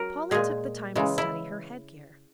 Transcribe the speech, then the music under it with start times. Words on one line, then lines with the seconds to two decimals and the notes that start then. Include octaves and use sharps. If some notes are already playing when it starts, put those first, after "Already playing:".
Polly took the time to study her headgear.
Already playing: F#3 A#4
0.31 A#2 G#3 G#4
0.96 C#3 E3 G#3
1.18 E4